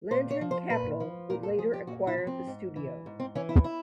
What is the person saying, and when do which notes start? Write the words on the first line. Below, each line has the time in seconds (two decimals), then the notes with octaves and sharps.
Lantern Capital would later acquire the studio.
0.11 A#2 C5
0.31 C#5
0.41 F3
0.51 C5
0.70 A#2 B4
1.00 F3
1.30 A#2 A#4
1.43 A4
1.59 F3 G#4
1.73 G4
1.87 A#2 F#4
2.07 E4
2.18 F3
2.27 C4
2.47 G#2
2.76 E3
3.06 G#2
3.20 C4
3.35 E3 C#4
3.49 E4
3.64 E4